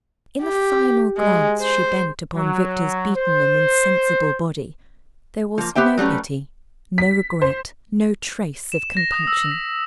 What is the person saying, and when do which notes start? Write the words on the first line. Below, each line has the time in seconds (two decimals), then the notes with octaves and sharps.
In the final glance she bent upon Victor's beaten and insensible body there was no pity, no regret, no trace of compunction.
0.42 G4
1.18 G#3
1.61 C5
2.35 F#3
3.16 C5
5.58 F3 A#3
5.75 B3 G4 C5 E5 G5
5.98 F#3 G3 A3 C#4 B4
6.98 B6
7.42 C5
8.72 E7
8.97 A#6
9.12 D#6
9.27 E6
9.51 B6